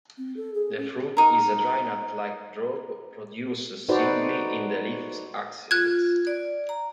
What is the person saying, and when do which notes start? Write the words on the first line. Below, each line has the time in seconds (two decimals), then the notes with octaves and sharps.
The fruit is a dry, nut-like drupe, produced singly in the leaf axils.
0.18 C4
0.37 A4
0.54 G#4
0.78 C#4
1.17 D#4 A#4
3.89 D#4 F#4 A4 B4 C5 D5
5.71 F4 F#6 G#6
6.27 D5
6.69 A#5